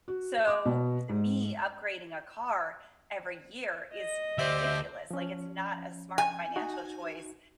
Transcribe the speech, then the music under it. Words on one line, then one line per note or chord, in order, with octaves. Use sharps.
So, to me, upgrading a car every year is ridiculous. Like, it's not a smart financial choice,
F#4
D6
B2
G#2
D#5
D2 G4 C5 D5 E5
F3 C#4
G#5
D#4 F#4